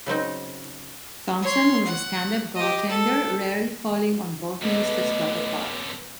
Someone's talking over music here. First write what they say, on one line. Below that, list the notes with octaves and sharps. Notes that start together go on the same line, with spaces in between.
Thompson was a stand-up goaltender, rarely falling on both knees to stop a puck.
C#3 F#3 C4 D#4
C#5 C6
F#5
G4 D#5
A4
F#2 D3 A3 B3 D#5